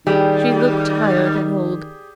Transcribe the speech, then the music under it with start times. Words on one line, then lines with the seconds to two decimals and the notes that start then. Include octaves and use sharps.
She looked tired and old.
0.07 D#3 G3 G4 G#4